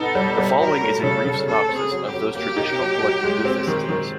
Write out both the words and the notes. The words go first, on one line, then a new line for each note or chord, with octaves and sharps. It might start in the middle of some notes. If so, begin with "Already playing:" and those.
The following is a brief synopsis of those traditional collective business systems.
Already playing: B3 D#4 A4
G3
G3
F#3 A#4
A3
C#3 A4
C#3
A3 A4
C4
G#4
F#3
G4
F#3
A#3 G4
D#4
F#3
F#3
G#3
C4
D#3
D#3